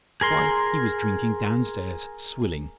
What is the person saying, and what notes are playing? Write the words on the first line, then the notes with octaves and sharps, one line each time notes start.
Why, he was drinking downstairs--swilling.
G#4 A#4 C6